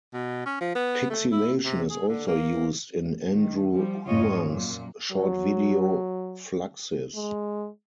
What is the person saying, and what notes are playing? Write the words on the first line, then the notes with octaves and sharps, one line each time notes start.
Pixilation is also used in Andrew Huang's short video "Fluxis".
B2
C#4
F3
B3
A3
E4
C3
G#4
D3
A#3
D#3
F3 G3
F2 G#2 C#3 F4 C#5 D#5
F#2 A#2
F#3
G#3